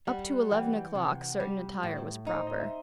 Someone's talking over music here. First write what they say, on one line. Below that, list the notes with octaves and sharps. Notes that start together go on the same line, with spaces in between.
Up to eleven o'clock certain attire was proper.
G3 F#5
E3 G5
C3
G3
A2
D#4
C5
D#5
E5